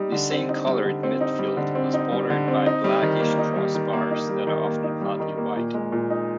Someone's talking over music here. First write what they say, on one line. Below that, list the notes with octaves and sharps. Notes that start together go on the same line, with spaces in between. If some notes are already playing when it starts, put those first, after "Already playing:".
The same coloured midfield is bordered by blackish crossbars that are often partly white.
Already playing: G3 D#4
D3
C4
D#4
G3
D3
C4
D#4
G3
D3
C4
D#4
G3
D3
C4
D#4
G3
D#3
A#3
D#4
G3
D#3
A#3
D#4
G3
D#3
A#3
D#4
G3
D#3
A#3
A#2
G#3
A#2
D#4